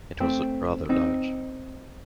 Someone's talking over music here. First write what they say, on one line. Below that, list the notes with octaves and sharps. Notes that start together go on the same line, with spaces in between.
It was rather large.
A3 C4
C4 D#4